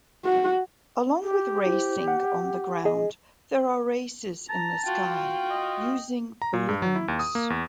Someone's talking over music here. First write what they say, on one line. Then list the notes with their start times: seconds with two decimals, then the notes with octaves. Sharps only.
Along with racing on the ground, there are races in the sky using balloons.
0.25 F#4
1.23 G4
1.66 E4 C5
2.08 F#5
2.85 G#4 D#5
4.50 A5 A#5
4.87 F4 F#4 G5
5.50 D#5
6.42 A#5
6.53 A#2
6.69 G2
6.82 F#3
6.95 E4
7.08 D#2
7.19 D#6
7.35 A#3
7.50 E2